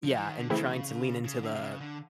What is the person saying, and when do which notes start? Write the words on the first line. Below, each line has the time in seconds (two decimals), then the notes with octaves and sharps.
Yeah, and trying to lean into the
0.04 F3
0.16 E3
0.26 D#3
0.39 D3
0.50 C#3 E3 A3 C4 E4 G#4
1.25 C#3
1.43 D3
1.54 C3
1.62 C#3
1.80 D3